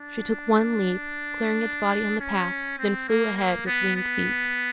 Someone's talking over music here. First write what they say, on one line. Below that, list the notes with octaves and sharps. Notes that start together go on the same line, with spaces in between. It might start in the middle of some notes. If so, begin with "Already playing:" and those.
She took one leap, clearing its body on the path, then flew ahead with winged feet.
Already playing: D4
C#4
C4
A#3
A#3
B3
B3